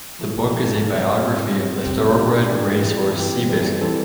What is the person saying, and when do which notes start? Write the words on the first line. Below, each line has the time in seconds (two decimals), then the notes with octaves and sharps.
The book is a biography of the Thoroughbred racehorse Seabiscuit.
0.19 F3 A3 E4 A4
0.52 F3 A3 E4 A4
0.85 C3 G3 C4
1.18 C3 G3 C4
1.51 C3 G3 C4 G4
1.84 C3 G3 C4 G4
2.17 E3 A3 D4 G4
2.50 E3 A3 D4 G4
2.83 E3 G3 C4 G4
3.16 E3 G3 C4 G4
3.49 E3 G3 C4 E4 A4
3.81 E3 G3 C4 E4 A4